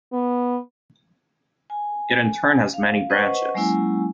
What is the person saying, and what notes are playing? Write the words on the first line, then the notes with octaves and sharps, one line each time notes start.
It in turn has many branches.
B3
G#5
F5
B4 C5 D#5 F#5 C#6
F#3 G#3 A#3 C#4 E4 G#5